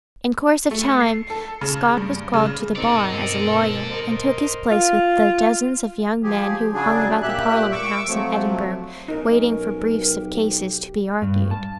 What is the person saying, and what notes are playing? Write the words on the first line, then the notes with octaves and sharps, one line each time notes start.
In course of time Scott was called to the bar as a lawyer, and took his place with the dozens of young men who hung about the Parliament House in Edinburgh waiting for briefs of cases to be argued.
A3
C7
A4
C#3
G2
C#3
G2 B2 C4 D#4 A4 A#4 D5
A#4 C5 D#5
F4
F3 G4 G#4
C#3 F#3 D4 G#4
A#2 G4 E5 F#6
C#6 D6 E6
C3 F3 F#3 A3
B1 C#4 D#4 A#4
G4
G2
A5